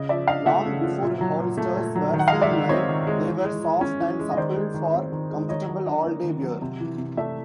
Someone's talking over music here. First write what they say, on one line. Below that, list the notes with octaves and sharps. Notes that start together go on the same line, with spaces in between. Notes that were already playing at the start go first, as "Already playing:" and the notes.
Long before holsters were steel-lined, they were soft and supple for comfortable all-day wear.
Already playing: C#3 D#5
F3 D5 E5
D4 D#5 F5
A3 E5 F#5
C#3
F3
A#2
F#3
A#2
A3
A#2
F#3
D#3
F#5
G#3 D#5 F5
D5 E5
D#3
C4 C#5 D#5
D#3
G#3
E3
G#3
E3
C#4
E3
G#3
D#5
D#3 C5 D5
G#3
D#3
C4
D#3
G#3
D#3 C#5 D#5
F#3
D4
A#3
D#3
F#3
C3
E3
C3
A3 D5 E5